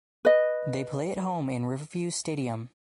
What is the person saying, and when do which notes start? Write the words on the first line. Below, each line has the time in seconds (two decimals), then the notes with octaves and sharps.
They play at home in Riverview Stadium.
0.25 B4 D#5